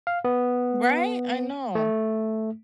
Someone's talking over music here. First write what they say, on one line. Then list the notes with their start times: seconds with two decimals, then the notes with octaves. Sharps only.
Right, I know.
0.07 F5
0.25 B3
1.75 A3